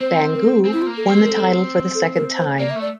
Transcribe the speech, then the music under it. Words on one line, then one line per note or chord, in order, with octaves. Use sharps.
Bangu won the title for the second time.
C4 C5
A#4
A4
C4
E4
F4
A#3
A4
C4
G4
A#4
A4
A4
A#4
C5
A#3 D5
E5
A3
D5